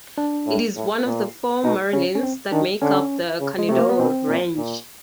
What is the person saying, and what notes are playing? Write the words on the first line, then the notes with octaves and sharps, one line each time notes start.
It is one of the four Marilyns that make up the Carneddau range.
D4
A2
A2
A#2
B2 D#4
C#3 C#4
C#4
C4
D#3 D4
D3 C#4
C#3
G#3
C3 A3
A#3
B3
B2 C4
A#2
A#2